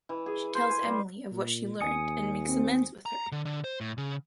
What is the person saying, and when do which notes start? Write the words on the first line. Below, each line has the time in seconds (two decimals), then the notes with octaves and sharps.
She tells Emily of what she learned and makes amends with her.
0.09 E3
0.26 G#4
0.55 C5
0.69 G#5
0.85 G3
1.31 A#2
1.81 D#2 G#5 D#6 C#7
2.48 C4
3.06 A#5
3.32 D3
3.45 D3
3.64 C5
3.81 A2
3.98 C#3